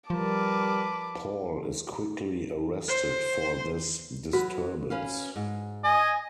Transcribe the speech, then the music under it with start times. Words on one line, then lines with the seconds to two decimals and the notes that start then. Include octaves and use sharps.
Paul is quickly arrested for this disturbance.
0.10 F3 G3 A#4 B4 A5 D6
2.88 C5
4.33 F#3 F#4 B4
4.90 C#4 B4 F5
5.36 G#2
5.84 D#5 G#5